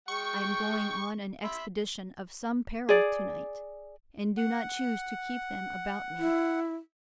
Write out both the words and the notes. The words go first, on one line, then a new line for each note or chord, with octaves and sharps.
I am going on an expedition of some peril to-night, and do not choose to keep them about me.
G#3 G5 C#6
E5 B5 C6
G#4 D5
F#5
E4